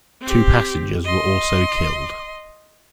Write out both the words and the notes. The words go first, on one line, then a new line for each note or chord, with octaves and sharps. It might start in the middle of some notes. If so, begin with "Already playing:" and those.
Two passengers were also killed.
C4 G4
D#5 C6